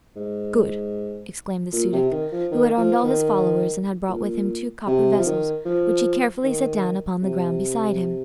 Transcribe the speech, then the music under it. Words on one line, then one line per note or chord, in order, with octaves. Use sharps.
"Good!" exclaimed the Su-dic, who had armed all his followers and had brought with him two copper vessels, which he carefully set down upon the ground beside him.
G#2
A#2
C3
D#3
F3
D#3
F3
D#3
A#2
C3
F3
D#3
F3
D#3
C3